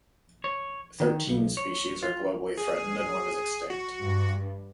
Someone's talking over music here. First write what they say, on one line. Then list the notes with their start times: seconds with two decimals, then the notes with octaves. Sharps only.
Thirteen species are globally threatened and one is extinct.
0.44 C#5
1.00 D#3
1.27 B1
1.57 C#5
2.03 F4
2.57 G#4
3.70 F#4
4.02 G2